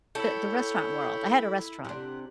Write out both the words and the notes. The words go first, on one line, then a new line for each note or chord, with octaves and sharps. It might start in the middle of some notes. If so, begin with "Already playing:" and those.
b the restaurant world? I had a restaurant.
E4 A4 C#5 G5
C3 D4 F#5